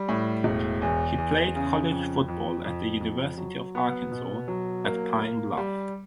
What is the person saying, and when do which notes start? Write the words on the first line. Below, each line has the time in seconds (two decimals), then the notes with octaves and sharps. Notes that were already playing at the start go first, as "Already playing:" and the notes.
He played college football at the University of Arkansas at Pine Bluff.
Already playing: G3
0.08 A2
0.44 E1
0.82 E2
1.18 E2
1.55 C#3
1.91 F2
2.28 F2
2.65 F2
3.01 F2
3.37 F#3
3.75 B3
4.11 B2
4.48 F#3
4.84 A#3
5.22 A#3
5.57 G3